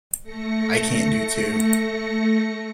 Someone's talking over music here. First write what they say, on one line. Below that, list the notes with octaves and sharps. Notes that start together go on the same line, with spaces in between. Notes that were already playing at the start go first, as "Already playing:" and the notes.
I can't do two.
A3 A#6 C#7